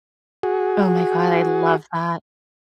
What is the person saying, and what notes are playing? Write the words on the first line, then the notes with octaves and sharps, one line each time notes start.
Oh my god. I love that.
F#4 G#4